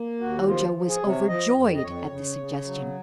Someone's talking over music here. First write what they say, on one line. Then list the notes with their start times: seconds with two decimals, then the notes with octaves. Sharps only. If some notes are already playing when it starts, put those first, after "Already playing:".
Ojo was overjoyed at this suggestion.
Already playing: A#3
0.20 D#2 F#4
0.47 F3 F4
0.74 F3
0.88 G#4
1.01 C3
1.08 C#5
1.28 F3 D#5
1.56 F2
1.75 D#5
1.83 F2 C#5
2.10 C#3
2.37 C#3
2.64 F#3